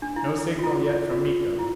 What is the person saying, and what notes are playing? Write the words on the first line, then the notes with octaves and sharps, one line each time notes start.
No signal yet from Miko.
D4
E4
F4
E4
F4
E4